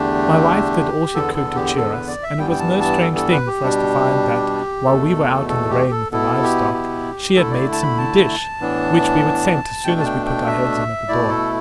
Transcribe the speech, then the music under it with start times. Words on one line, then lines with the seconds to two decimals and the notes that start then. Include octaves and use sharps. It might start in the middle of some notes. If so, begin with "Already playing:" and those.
My wife did all she could to cheer us, and it was no strange thing for us to find that while we were out in the rain with the live stock, she had made some new dish, which we would scent as soon as we put our heads in at the door.
Already playing: E2 D3 A3 D4 G4
1.14 E2 D3 B3 A4
1.35 A4
1.55 G4
1.77 A4
1.92 B4
2.08 D5
2.23 E5
2.38 G2 E3 G3 B3 G5
2.51 G5
2.59 A5
2.80 A5
3.01 A4
3.16 A4
3.32 B4
3.47 G4
3.63 B2 G3 D4
4.87 E2 B2 A3 A4
5.49 A4
5.70 G4
5.91 A4
6.12 B2 B3 E4 A4
6.43 G4
6.74 G4
7.36 D3 A3 E4 A4
7.51 D5
7.72 A5
7.82 B5
7.98 A5
8.60 A2 E3 B3 D4
9.84 B2 A3 D4 G5
10.00 A5
10.06 G5
10.26 G5
10.47 E5
11.08 B2 A3 E4 D5
11.29 A4